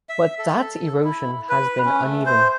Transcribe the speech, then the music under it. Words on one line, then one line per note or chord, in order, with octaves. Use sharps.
But that erosion has been uneven.
E5
A4
E4
B4
C#4
A3
C5